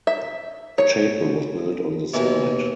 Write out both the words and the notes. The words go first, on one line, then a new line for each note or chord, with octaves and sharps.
A chapel was built on the site.
E5
C#5
D#2 B2 E3